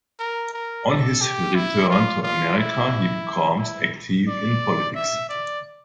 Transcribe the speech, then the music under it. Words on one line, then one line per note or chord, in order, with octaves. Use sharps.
On his return to America, he became active in politics.
A#4
A#4
A4
G4
E4
F4
F4
E4
E4
D5
E5
D5